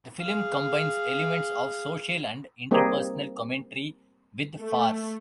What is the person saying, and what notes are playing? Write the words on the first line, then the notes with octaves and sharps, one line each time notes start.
The film combines elements of social and interpersonal commentary with farce.
G#4 F5
G3 A#3 C4 D#4 G4 G#4
A3